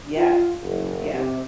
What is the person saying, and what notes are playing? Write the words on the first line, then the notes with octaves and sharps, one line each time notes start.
Yes, ye
F4
F#1
C3